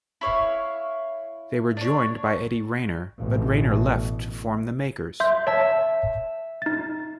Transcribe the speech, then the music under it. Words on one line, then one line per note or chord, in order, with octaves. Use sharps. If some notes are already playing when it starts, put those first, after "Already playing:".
They were joined by Eddie Rayner, but Rayner left to form The Makers.
E4 C#5 F5
D4 C#5
A1 B2
E5 C6 G6
C#5 E5 A5
D#4 A6